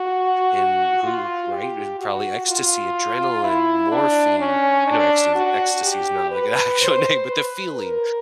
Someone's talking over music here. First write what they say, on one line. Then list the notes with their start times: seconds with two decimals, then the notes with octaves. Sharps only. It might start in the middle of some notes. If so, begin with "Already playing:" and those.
and who right, and probably ecstasy, adrenaline, morphine I know ecste ecstasy is not, like, an actual name, but the feeling
Already playing: F#4
1.03 F4
1.52 G4
1.99 F#4
2.47 F4
3.44 E4
3.92 D4
4.40 C#4
4.87 D4
5.35 F#4
5.83 G4
6.31 B4
6.80 C5
7.28 B4
7.76 A#4